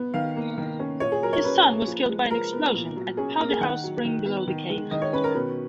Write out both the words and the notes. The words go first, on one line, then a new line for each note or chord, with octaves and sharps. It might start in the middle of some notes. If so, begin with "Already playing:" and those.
His son was killed by an explosion at Powder House Spring below the cave.
Already playing: B3
D#3 F5
A#3
D#3
C#4
A#2 C#5
G#4
F#3 A#4
C#5
C#4 B4
A#3
F3
G#3
F3 A#4
B3
A#2
F#3
C#4 G#4
A#3 A#4
G#4
D#3 F#5
F#3
D#3
B3
D#3
G#3
D#3 D#5
C#5
C#4 B4
A#4
B2 B4